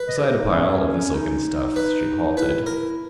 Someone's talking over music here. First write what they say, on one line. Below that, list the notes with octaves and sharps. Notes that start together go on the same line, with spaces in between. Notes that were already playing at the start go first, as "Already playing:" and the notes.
Beside a pile of the silken stuffs she halted.
Already playing: B4
D#5
G#4
G4
D#4
C#4
D#4
B4
E4 B4
A#4